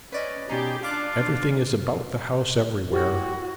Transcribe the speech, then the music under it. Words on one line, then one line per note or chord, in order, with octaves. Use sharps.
Everything is about the house everywhere.
C#4 B4 D5 D#5
B2 C#4 D#4 G4 G#4 D5
D4 F4 F5 D6 F#6
E4 F#4 G4